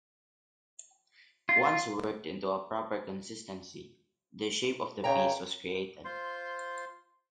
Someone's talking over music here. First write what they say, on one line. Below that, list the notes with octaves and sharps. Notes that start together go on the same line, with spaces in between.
Once worked into a proper consistency, the shape of the piece was created.
F4
C#3 C#5 G5 A#5
F4 C5 C6